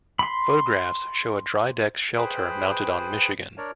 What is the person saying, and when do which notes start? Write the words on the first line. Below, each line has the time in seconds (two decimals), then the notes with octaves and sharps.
Photographs show a dry deck shelter mounted on "Michigan".
0.19 B5 C6
2.17 G#4 B4 C5 G5 B5
3.58 D4 A#4 C#5 D5